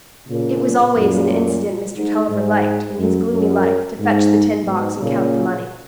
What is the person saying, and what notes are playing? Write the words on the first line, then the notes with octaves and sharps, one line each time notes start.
It was always an incident Mr. Tulliver liked, in his gloomy life, to fetch the tin box and count the money.
A#2 C#3
F#2 A#2
G#2
G#2
F#2
F#2
G#2
G#2 B2
A#2 C#3